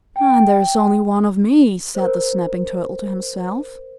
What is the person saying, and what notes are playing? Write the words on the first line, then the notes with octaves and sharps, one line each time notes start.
"And there is only one of me," said the Snapping Turtle to himself.
G5
A#4 C5